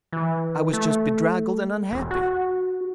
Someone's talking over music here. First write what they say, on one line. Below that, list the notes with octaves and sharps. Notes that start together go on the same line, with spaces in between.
I was just bedraggled and unhappy.
E3
A3
E1
F#4